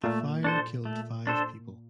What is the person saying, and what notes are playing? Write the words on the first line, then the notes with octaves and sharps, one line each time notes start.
The fire killed five people.
A#2 A3
D4 A4 C5
A3
D4 A4 C5